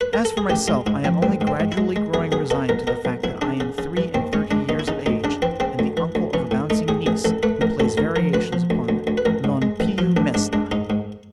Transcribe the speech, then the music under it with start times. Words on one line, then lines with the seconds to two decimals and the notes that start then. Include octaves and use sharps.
As for myself, I am only gradually growing resigned to the fact that I am three-and-thirty years of age, and the uncle of a bouncing niece, who plays variations upon 'Non piu mesta.'
0.01 B4
0.13 A#4
0.25 A4
0.37 G#4
0.50 A1 G4
0.68 G#3 F4
0.86 G#2 E4
1.04 F3 C4
1.23 A1 C4
1.41 G#2
1.47 C4
1.60 G#2
1.72 E4
1.77 G#3
1.96 G#3
2.14 B1 G#4
2.32 B1 G#4
2.50 B2 A4
2.69 B1 A#4
2.87 B2 A#4
3.05 B1
3.24 B1 E4
3.41 C#3 D4
3.60 C#3
3.78 C#3
3.97 E3
4.14 D#2 C4
4.33 G#3 C#4
4.51 G#3 D4
4.69 D#2 D#4
4.79 E4
4.88 C#3 D#4
5.06 D2 D#4
5.24 C#3 D4
5.42 E3 C4
5.60 C#3 C4
5.79 D2
5.97 E3
6.15 D2
6.33 E3 C#4
6.51 A2
6.70 A3 D#4
6.88 A2 G#4
7.06 A1 G#4
7.25 A1 A4
7.43 A3 B4
7.61 A1 A#4
7.80 D2 A4
7.97 D2 A#4
8.16 F3 A#4
8.34 D2 B4
8.53 F3
8.70 D2
8.89 D2
9.07 D2
9.18 B4
9.25 A1 A#4
9.44 G#2
9.62 G#3
9.80 A1
9.98 F3 F4
10.17 A1 D4
10.34 G#2 D4
10.53 G#3 D4
10.71 G#2 D#4
10.90 G#2